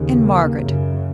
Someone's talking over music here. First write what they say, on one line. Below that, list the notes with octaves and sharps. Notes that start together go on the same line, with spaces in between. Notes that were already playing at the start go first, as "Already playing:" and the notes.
And Margaret?
Already playing: D#2 C#3
A#3
F#2 C#3